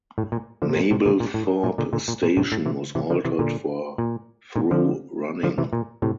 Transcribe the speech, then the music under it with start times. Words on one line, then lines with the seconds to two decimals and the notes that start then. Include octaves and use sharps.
Mablethorpe station was altered for through running.
0.18 A2
0.32 A#2
0.62 D3 F3
0.69 C3
0.76 A#2
0.91 A2 C3
1.05 A#2 D3
1.20 A#2
1.34 A2
1.64 A#2
1.78 A#2 D3
1.93 A#2 D3
2.08 A#2
2.23 A#2
2.37 A2 C3
2.52 A2
2.66 C3 E3
2.95 C3 E3
3.10 D3 F3
3.25 C3 E3
3.39 A#2 D3
3.98 A#2
4.56 A#2
4.71 D3 F3
5.43 D3 F3
5.58 C3 E3
5.73 A#2
6.02 A2 C3